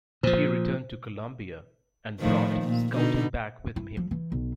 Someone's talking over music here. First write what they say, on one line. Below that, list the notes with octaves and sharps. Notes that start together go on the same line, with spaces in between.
He returned to Colombia and brought Scouting back with him.
A#2 F3 C5
A2 D#3 F3
A#2
B2 D3 D#4
E4
F3
E3
B1